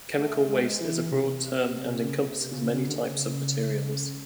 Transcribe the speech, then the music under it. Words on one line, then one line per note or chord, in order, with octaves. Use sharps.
Chemical waste is a broad term and encompasses many types of materials.
A3
G#3
E3
C3
C#3
C3
C#3
C#3
D3
C#3